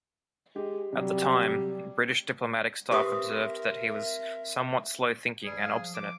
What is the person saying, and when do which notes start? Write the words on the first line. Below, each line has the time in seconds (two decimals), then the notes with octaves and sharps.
At the time, British diplomatic staff observed that he was "somewhat slow-thinking and obstinate".
0.56 G#3 G4
0.93 C3 F#3 G3
2.91 C4 G4 A#4 B4 E5 C#6 D#6
5.44 G3 G#4
5.62 F5
5.78 F3
5.95 D6